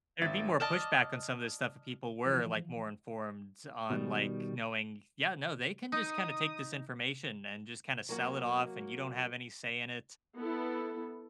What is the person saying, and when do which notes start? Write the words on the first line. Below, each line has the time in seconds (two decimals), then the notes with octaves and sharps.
there'd be more pushback on some of this stuff, if people were, like, more informed on, like, knowing "Yeah, no, they can just kinda take this information and just kinda sell it off, and you don't have any say in it,"
0.21 G#1 E5 A6
0.60 D5 D#5 A5 F6 E7
2.26 E3 F3
3.90 B2 D#3 G3
5.92 D#4 D#6
8.09 F#3 A#3 F#4
10.38 B3 E4 A4